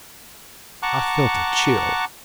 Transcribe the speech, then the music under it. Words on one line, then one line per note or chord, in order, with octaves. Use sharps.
I felt a chill.
F#5 A5 A#5 C#6 D6 F#6